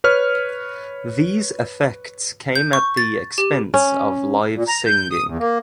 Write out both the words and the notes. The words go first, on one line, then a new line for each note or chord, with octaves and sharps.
These effects came at the expense of live singing.
B4 C#5 F6
G6
C#6
A6
G4
C#4
A#2
A#5
G6
D#6
E2
A#3